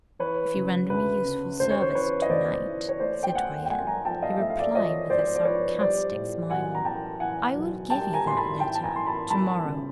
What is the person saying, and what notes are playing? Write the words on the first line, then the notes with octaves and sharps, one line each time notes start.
"If you render me useful service to-night, citoyenne," he replied with a sarcastic smile, "I will give you that letter . . . to-morrow."
E3 B4 C#5
C#3
D2 B4
C#3
D2 C5
C#5
C5
E3 B4 C#5
D#5
D2 C5 D5
E3
C#5
A3 C5 D5
G5
A3 F#5 G#5
G5
A3 F#5 G#5
G#5 A#5
F3 G5 A5
D#5 F5
A3 E5
F5
D5 E5
F3 C#5 D#5
G#2 C5 D5
D5
F3 B4 C#5
G3 C5 D5
A2
B1 F#5 G#5
A#5
E3 G5 A5
E3 F#5 G#5
B1
G3 G5 A5
G#5 A#5
A2 C6
A5 B5
E3 G5 A5
A5
G#5 A#5
E3 C6
A5 B5
G1 A5 B5
C#3